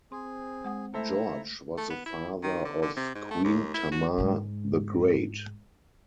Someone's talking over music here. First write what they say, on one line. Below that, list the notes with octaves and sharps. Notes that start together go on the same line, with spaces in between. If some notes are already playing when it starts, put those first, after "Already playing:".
George was the father of Queen Tamar the Great.
C4 G#4 C6
G#3 F#5 D#6
A3 E4 A4 C5 E5 A#5
A3
B3
E4
D#3
D3
D3
C3
G#2
A3
D#2
E4
F#4
G#2 G#3